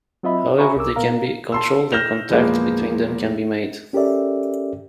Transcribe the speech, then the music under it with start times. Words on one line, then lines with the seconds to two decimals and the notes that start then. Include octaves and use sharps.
However, they can be controlled, and contact between them can be made.
0.23 F#3 C4 F4 D#5 E5 B5
0.59 F#4 E5 G#5 A#5 B5 C#6
0.76 C2 A#4 D6 E6
0.96 A#2 B3 A#4 F5 A#5
1.52 A5 C6 E6
1.92 F6 G6 A#6 E7 F7 G7
2.29 E2 A#2 F3 G#3 A#3 B3
3.93 C#4 G4 A4 A#4 D5 E5